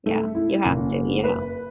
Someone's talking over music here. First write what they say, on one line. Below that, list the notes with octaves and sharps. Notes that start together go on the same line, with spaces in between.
Yeah, you have to, you know.
A3
E4
F#1
B4